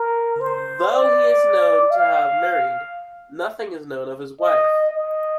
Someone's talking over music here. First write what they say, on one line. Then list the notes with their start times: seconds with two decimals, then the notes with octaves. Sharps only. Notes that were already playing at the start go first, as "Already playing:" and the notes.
Though he is known to have married, nothing is known of his wife.
Already playing: A#4
0.40 C5
0.91 D5
1.91 F5
4.41 D#5
4.91 D#5